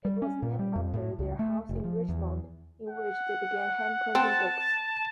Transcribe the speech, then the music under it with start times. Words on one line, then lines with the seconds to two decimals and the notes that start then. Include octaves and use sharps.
It was named after their house in Richmond, in which they began hand-printing books.
0.05 G3
0.22 C#4
0.42 A#2
0.59 G3
0.76 F2
0.94 A2
1.19 C#2
1.39 A3
1.69 F1
1.84 F3
2.09 E2
2.89 F#5
4.15 C4 A5